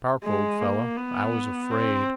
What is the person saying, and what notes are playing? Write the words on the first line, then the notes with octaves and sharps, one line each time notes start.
"Park, old fellow, I was afraid."
G#3
A#3
B3
C4